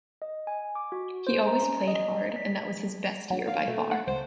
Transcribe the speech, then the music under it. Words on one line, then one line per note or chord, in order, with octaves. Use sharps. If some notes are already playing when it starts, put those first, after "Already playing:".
He always played hard, and that was his best year by far.
D#5
G#5
D6
F#4
C5
A#5
C#4
D#5
B6
F#3
F5
B2 A3
F#5
C#2 C5